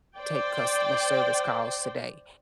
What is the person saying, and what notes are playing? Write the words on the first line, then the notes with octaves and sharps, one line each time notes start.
take customer service calls today,
C5 D5 G5